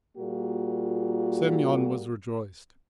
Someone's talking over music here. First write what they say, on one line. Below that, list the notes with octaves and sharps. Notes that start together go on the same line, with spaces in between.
Semyon was rejoiced.
A#2 G3 A#3 F4 F#4 G#4